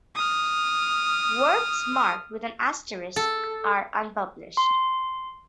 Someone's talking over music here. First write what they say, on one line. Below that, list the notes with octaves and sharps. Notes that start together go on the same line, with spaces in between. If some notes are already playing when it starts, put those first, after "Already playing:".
Works marked with an asterisk are unpublished.
D#6 F6
A4
C6